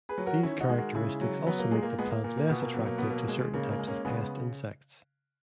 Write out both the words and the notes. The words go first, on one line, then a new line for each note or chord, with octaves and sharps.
These characteristics also make the plant less attractive to certain types of pest insects.
G#4 B4
F#3
F#4 A#4
D#3 C#4 E4
D#4 F#4
G#3
F#4 A#4
C#3 E4 G#4
F#3
F#3 B3
A#3
A#2 G#3
A#3
G#3 B3
A#3
A#2 A#3
A#3
B2 B3
A#3
F#3 B3
A#3
B2 B3
A#3
G#3
C#3 A#3
A#3
G#3
A#3 C#4
C#3 G#3 B3